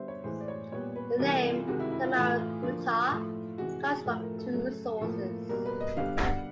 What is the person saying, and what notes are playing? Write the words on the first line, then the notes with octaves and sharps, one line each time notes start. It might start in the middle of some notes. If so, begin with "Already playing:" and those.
The name "Tamaracouta" comes from two sources.
Already playing: D3 G3 B3 C5 E5
C#5
A2 E3 G#3 C5
D5
C#5
A#2 G3 B3 C#5
B4
C3 E3 G3 B3 A#4
A4
F4
C3 D#3 G#3 F#4
E4
E4
F4
A2 E3 A3 F4
F4
D3 F3 A#3 F4
A2 F3 A3
C3 E3 G#3 F#4
G#4
A2 F3 A3 A4
A#4
A4
C#3 F#3 A3
A2 F3 A#3 A4
B2 G3 A#3 A#4
B4
D#5
D3 G3 B3 F5
F#5